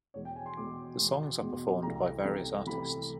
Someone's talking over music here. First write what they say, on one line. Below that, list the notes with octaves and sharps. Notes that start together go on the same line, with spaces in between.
The songs are performed by various artists.
E2 B2 G#3 C#5
G5
G#5
C6
E2 B2 G#3 D6
E2 B2 G#3
E2 B2 G#3
C2 C3 E3 A3 A#5
C2 C3 E3 A3
C2 C3 E3 A3 B5